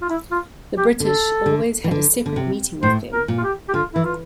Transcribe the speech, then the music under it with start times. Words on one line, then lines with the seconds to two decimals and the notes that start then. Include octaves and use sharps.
The British always had a separate meeting with them.
0.02 F4
0.10 E4
0.31 F4
0.78 G4
1.00 D3 A4
1.46 D3
1.84 E3
1.91 D3
2.26 D3
2.36 C3
2.83 A2 C5
3.13 A#4
3.28 A#2
3.38 F4
3.43 G4
3.68 G4
3.74 D3 F4
3.94 E3 E4
4.04 F4